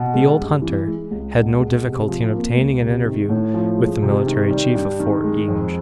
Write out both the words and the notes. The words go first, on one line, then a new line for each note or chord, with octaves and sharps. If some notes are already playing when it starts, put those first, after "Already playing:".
The old hunter had no difficulty in obtaining an interview with the military chief of Fort Inge.
Already playing: B2
G#3
G2
E3
G#3
C#2
B2
G#3
C3
F3
A#3
C#2
C3
D#3
A2
F3
G#3
C3
D#3
G3
G2
D#3
G#3
F2